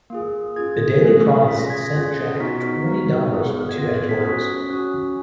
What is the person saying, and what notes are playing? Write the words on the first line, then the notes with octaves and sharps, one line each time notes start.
The Daily Proteus sent Jack twenty dollars for two editorials.
A#3 F4 G#4
C#4 F4 G#4 G#6
C#4 F4 G#4
C#4 F4 G#4 B6
A#6
G#6
A#6
C#4 F4 G#4
B3 D#4 F#4 B6
B3 D#4 F#4
B3 F4 G#4
G#6
B3 F4 G#4 A#6
G#6
B6
C#4 F#4
C#4 F#4